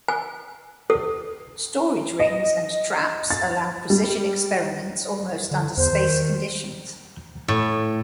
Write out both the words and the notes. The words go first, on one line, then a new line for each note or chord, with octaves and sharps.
Storage rings and traps allow precision experiments almost under space conditions.
G#5
A4
D#5
A6
G3
D3
E2 C5
D#3
A2